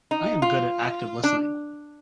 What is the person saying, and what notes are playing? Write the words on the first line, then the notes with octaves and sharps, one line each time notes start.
I am good at active listening.
D#4
F4
D4